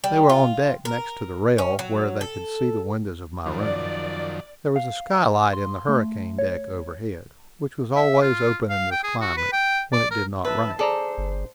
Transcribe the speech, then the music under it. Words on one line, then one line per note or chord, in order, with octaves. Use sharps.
They were on deck, next to the rail, where they could see the windows of my room. There was a skylight in the hurricane-deck overhead, which was always open in this climate when it did not rain.
G3
F4
A#4
C#4
F#3
A4
F#2 D#3 F3 D5
F5
C6
A3
C#5
E5
F4
F5
G5
G#4
F#4
B4
G5
D5
A#4
B4 E5 A5
G#4 A4 C5 D5 A#5
G1